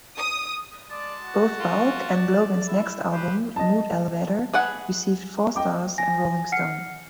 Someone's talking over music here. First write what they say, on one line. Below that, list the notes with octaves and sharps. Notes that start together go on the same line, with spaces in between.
Both Bulk and Logan's next album, "Mood Elevator", received four stars in "Rolling Stone".
D#6
G#3 D5 A5
F#4
F4
D5
E4
G4 B4 C5
D#5 A5
G#4 B4 F#5
D#5 G5 D6
G#5 A#6
F#5 F6 C7 C#7